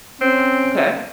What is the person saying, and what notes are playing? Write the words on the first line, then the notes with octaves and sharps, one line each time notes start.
Uh, okay.
C4 C#4